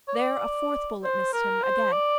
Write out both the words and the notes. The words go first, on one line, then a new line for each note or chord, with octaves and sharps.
There a fourth bullet missed him, again.
C#5
D5
C5
A#4
C5
D5